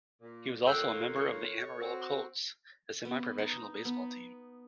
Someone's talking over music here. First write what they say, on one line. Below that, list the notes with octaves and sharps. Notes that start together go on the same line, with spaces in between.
He was also a member of the Amarillo Colts, a semi-professional baseball team.
A#2
D#3 A#3 F4 A4 C#5 G5 E6 F#6
C#5 C#6
C4 F#4
B3
D#4
B3